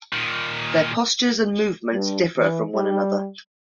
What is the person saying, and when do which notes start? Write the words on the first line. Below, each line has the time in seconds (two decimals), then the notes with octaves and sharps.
Their postures and movements differ from one another.
0.13 A#2 D#3
1.92 G2
2.38 E3
2.74 G3